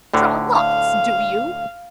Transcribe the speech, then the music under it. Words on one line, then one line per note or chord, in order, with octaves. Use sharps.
Draw lots, do you?
D2 A2 D3
F5